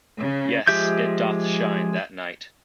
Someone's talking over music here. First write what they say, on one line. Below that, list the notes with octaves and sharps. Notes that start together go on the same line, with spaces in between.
Yes, it doth shine that night.
C#3
F3 G#3 G4 E5 G6